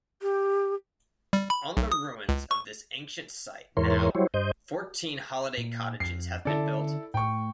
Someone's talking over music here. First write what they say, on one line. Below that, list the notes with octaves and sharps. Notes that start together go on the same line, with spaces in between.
On the ruins of this ancient site now fourteen holiday cottages have been built.
G4
G3
B5
B1
D#6
C#2
C#6
E2 G#2 E3 A#4 C#5 C6
F#3 G3 E4 C5 C#5
G2 C5 D#5 G6
A#2
F2 C7
D3 C#4 E4 A4 D5
A2 G5 C#6